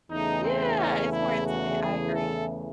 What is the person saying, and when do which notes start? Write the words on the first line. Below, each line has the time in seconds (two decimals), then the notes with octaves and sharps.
Yeah, it's more intimate, I agree.
0.10 E2 C#3 E3 A3 D#4
0.44 C4
0.78 C#4
1.12 E4
1.47 F#4
1.81 G#4
2.15 A4